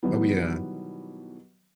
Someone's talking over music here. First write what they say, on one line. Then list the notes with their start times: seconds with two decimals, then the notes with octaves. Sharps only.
Oh, yeah.
0.03 B2 D#3 E3 F#3 G3 B3